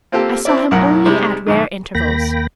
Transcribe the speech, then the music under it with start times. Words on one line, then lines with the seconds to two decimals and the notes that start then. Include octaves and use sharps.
I saw him only at rare intervals.
0.12 A#3 C4 F4 G4 A4
0.45 C4 E4 D5
0.71 B1 F#2 A2 A#4 F#5
1.06 C3 G3 G#3 D#4
1.46 B1 G#2 D#3
1.95 D#2 A#3 G5 B5 A#6